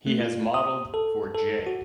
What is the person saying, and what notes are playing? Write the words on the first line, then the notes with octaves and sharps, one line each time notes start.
He has modeled for J.
A3
F4
D#6
A4
A4
F#4